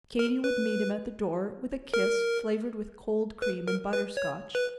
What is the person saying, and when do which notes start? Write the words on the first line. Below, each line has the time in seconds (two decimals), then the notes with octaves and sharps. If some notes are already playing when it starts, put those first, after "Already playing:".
Katy would meet him at the door with a kiss flavored with cold cream and butter-scotch.
0.19 A#4
0.44 B4
1.94 A#4
3.42 B4
3.68 A#4
3.93 B4
4.17 C#5
4.55 B4